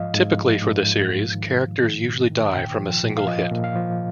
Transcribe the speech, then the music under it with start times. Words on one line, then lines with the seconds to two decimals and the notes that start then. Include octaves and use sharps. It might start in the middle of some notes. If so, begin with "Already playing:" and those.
Typically for the series, characters usually die from a single hit.
Already playing: G#2 F3 D#5 F5
0.14 G#2
0.38 F3
0.62 G#2
0.87 F3
1.11 G#2
1.35 D#3
1.58 G#2
1.83 D#3
2.07 G#2
2.31 D#3
2.55 A#2 G5
2.79 F3
3.03 A#2
3.17 F5
3.28 F3 D#5
3.52 A#2
3.64 F5
3.76 F3